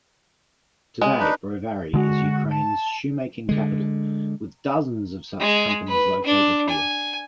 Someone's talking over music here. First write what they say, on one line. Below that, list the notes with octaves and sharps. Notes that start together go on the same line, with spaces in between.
Today, Brovary is Ukraine's shoe-making capital with dozens of such companies located here.
G#3
D4 D#4 B4
D3 G#3 F#4
A5
D3 G#3
G#3
B4
D4
G#5